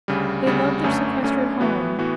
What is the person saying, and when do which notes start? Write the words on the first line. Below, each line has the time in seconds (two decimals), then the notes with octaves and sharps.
They loved their sequestered home.
0.08 D2 C#3 G3
0.46 D2 C#3 G3
0.84 G1 F#2 D3 A3 C#4
1.22 G1 F#2 D3 A3 C#4
1.60 A2 E3 B3 F#4
1.98 A2 E3 B3 F#4